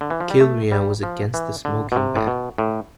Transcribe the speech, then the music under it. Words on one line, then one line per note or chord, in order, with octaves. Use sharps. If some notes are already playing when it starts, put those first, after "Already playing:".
Kilrea was against the smoking ban.
D3
E3
F3
G3
A3
G3
F3
E3
D3
B2
C3
A2
B2
A2